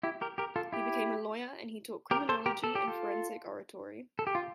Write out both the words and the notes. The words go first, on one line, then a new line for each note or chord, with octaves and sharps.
He became a lawyer and he taught criminology and forensic oratory.
E4 G4
G4 A#4
G4 A#4
F4 A4
E4 G4
G4 A#4
A4 C5
G4 A#4
A4
G4
F4 A4
A4
G4
F4